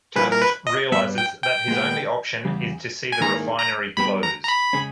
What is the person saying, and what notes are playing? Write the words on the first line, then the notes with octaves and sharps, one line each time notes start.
Taft realizes that his only option is to see the refinery closed.
A#2 G3 A#3 E4 G#4 B4
A#4
B4
D#5
G2 G3 B3 E5
G5
G5
A#2 G#3 B3
E2 C#3 G3
G#5
G#2 D#3 A#3 E4 G#4 A#5
A#5
G2 G3 B3 G4 B5
A#5
A#5
B5
C#3 G#3 C#4 G#4